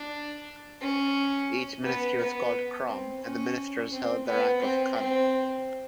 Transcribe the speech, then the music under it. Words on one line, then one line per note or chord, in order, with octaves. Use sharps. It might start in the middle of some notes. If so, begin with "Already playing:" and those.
Each ministry was called "Krom" and the ministers held the rank of "Khun".
Already playing: D4
C#4
B3
B3
C4
C#4
C4
B3
C4
C4